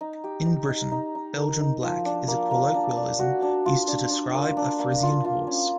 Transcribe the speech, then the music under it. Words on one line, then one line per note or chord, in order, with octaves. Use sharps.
In Britain, "Belgian Black" is a colloquialism used to describe a Friesian horse.
D#4
G4
D#4
D#4
D#4
D#4
A#4
D#4
F3
D4
A#3
A#3
D4
D4
F#4
D4
F4
D4
D4
A#3
D4
A#3
F4
F4
C#4